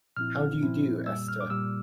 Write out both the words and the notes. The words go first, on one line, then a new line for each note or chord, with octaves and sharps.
How do you do, Esther?
A#2 F3 C4 E4 F6
A#2 F3 C4 E4
A#2 G3 A#3 E6
F6
D6
A#2 G3 A#3 E6